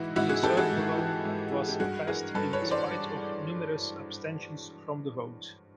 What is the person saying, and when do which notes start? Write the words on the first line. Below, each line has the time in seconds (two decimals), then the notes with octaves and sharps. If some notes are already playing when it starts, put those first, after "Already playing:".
The Acerbo Law was passed in spite of numerous abstentions from the vote.
Already playing: G#2 E3 E4 F#4
0.16 G#2 E4 F#4
0.29 F#4 G#4
0.43 E3 G4 A4
0.57 F#4 G#4
0.71 G#2
0.98 E3
1.25 G#2
1.53 E3
1.69 G4
1.80 G2 F#4 G#4
2.07 E3 G#4 A#4
2.34 G2 A4 B4
2.53 B4 C#5
2.62 E3
2.71 C5 D5